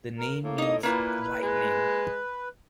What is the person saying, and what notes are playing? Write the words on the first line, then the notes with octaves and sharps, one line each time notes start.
The name means "Lightning".
A#4
A2 A#3
D#4 D#5
A#2 A#3 E4 B4
G#3